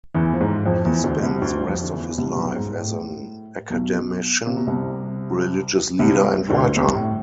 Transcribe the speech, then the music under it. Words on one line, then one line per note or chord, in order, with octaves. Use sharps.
He spent the rest of his life as an academician, religious leader and writer.
E2 E3
F3
G#2 G#3
F2 F3
E2 E3
D2 D3
C2 C3
D2 D3
F2 F3
D3
E2 E3
C2 C3
C3
B1 B2
G#2
A2
B1 B2
C3
B2
C2 C3
C2 C3
D2 D3
C2 C3
A2